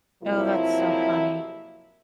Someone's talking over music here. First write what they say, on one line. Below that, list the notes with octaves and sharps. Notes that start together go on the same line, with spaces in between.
Oh, that's so funny.
F2 C3 F3 F#3 A#3 E4